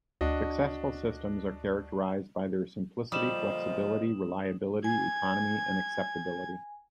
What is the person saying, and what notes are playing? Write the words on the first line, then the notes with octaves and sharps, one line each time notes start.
Successful systems are characterized by their simplicity, flexibility, reliability, economy, and acceptability.
D2 D4 F#4 D#5
A#2 D3 F3 G3 D#5 D#6 E7 F#7
G#5 G#6